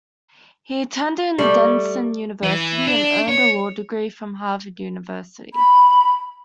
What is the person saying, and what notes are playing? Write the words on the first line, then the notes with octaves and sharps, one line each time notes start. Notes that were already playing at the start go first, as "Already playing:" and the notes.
He attended Denison University, and earned a law degree from Harvard University.
G3 A3
E3
D4
C#5
B5